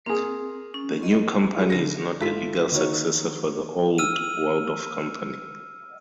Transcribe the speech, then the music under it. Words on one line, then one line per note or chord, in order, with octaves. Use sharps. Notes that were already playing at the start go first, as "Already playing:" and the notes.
The new company is not a legal successor for the old Waldorf company.
A#3 C4 G#4
C#4
D#5
E4 G#4 A4
D3 A#6
G#1 E4 F4 A4 B6
D#3 A#3 F#4 C#5
E6 F6 D#7